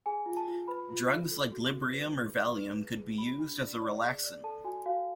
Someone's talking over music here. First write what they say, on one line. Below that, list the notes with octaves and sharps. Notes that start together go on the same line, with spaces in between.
Drugs like Librium or Valium could be used as a relaxant.
G#4 G#5
F4
A5
F4
B4 B5
F4
F4
A4
F#4
F#4
B4
G#4
G#4
B4
G#4
G#4
F#4 B5
D4
D5
D5
G#4
D5
A4 A5
F#4 G#5
F#4 F5